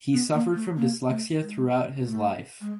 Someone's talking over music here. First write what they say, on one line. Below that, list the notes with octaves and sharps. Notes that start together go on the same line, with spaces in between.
He suffered from dyslexia throughout his life.
B3
A#3
A3
A#3
A3
G#3
A3
G#3